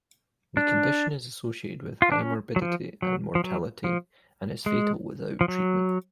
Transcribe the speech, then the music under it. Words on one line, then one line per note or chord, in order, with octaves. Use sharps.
The condition is associated with high morbidity and mortality and is fatal without treatment.
D4
F4
D4
C#4
F#3
F3
F#3
F3
F#3
F3
G#3
F3
F#3